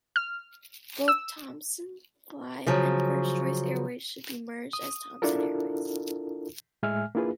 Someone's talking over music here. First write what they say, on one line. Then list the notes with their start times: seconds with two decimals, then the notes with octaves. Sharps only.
Both Thomsonfly and First Choice Airways would be merged as Thomson Airways.
0.16 F6
1.08 E6
2.66 C#3 F3 F#3
4.73 D#6
5.22 D4 E4 F4 A4 A#4
6.83 A2 G#3 E5 G#5 F6
7.15 A#3 D4 E4 F4 G#4 B4